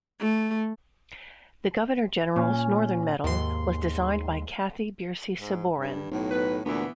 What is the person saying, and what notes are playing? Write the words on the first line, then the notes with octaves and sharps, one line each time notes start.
The Governor General's Northern Medal was designed by Cathy Bursey-Sabourin.
A3
A#2 C#4
D#2 G#2 C6
G#2
G2
B1 A2
B4
D2 A#2 E3 B3